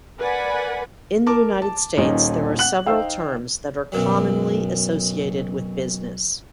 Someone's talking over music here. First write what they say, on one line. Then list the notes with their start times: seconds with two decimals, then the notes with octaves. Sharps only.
In the United States, there are several terms that are commonly associated with business.
0.19 A#4 B4 D5 F#5 G#5 B5
1.26 A#4 A5 D6
1.62 A5
1.97 D#1 A#2 C#4 D#4
2.59 F#5 F#6 F#7
2.86 D#4 C5 F5 G5 E6
3.92 B1 F#2 F#3